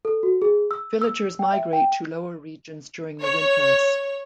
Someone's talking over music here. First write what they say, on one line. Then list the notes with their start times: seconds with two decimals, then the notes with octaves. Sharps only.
Villagers migrate to lower regions during the winters.
0.05 A4
0.23 F#4
0.42 G#4
0.71 E6
1.02 E6
1.39 G5
1.53 E5
1.73 G5
3.22 C#5